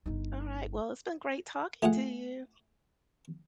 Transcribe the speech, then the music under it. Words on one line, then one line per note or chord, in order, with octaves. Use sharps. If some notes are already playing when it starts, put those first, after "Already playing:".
Alright. Well, it's been great talking to you.
G1 D#4
A3 F4 G#4 F5 F#5